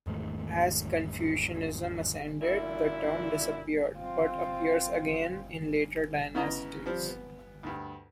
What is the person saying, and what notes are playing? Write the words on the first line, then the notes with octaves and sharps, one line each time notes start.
As Confucianism ascended the term disappeared, but appears again in later dynasties.
E2 G#2 D#3 A3
F#2 A#2 D3 E4
C4 F4
C#3 B3 E4 D#5 A#5
F3 G3 C4
B3
D2 G2